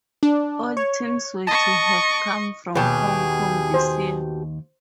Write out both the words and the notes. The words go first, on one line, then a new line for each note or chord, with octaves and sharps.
All teams were to have come from Hong Kong this year.
D4
C#5
D#5 A5 C#6
D#2 B2 G4 G#4 G5 A5
C5